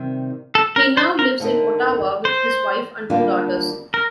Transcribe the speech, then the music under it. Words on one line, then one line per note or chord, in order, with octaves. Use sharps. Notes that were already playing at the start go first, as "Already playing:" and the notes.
He now lives in Ottawa with his wife and two daughters.
Already playing: C3 D#3 G3
A4
A#4
C5
A#4
D3 A3 D#4 A#4
C5
D3 G3 A#3 D4 F4
A#4